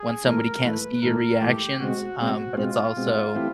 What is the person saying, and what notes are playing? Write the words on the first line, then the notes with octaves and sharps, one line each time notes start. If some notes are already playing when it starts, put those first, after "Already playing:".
when somebody can't see your reactions, um, but it's also,
Already playing: G#4
A2 E3 A3 A#4
A2 E3 A3 B4
A2 E3 A3 A#4
A2 E3 A3 G4
B2 G#3 C4 F#4
B2 G#3 C4 F#4
B2 G#3 C4 F4
B2 G#3 C4
E3 A3 C4 E4 G4